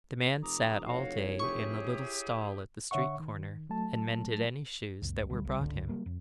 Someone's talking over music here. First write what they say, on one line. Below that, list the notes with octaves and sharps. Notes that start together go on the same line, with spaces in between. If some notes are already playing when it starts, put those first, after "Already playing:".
The man sat all day in a little stall at the street corner and mended any shoes that were brought him.
F1 A#5 D6 D#6
F#4 C#5 F5
E4 G4 G#4 C#6
D3 C#5 E5 F#5 C#6
D#3
F#3 A3 A5
F#1 C#2
D2 G3
B1 G3
G#1 C#2 D3
C#3 F#3 G3 A#3
F2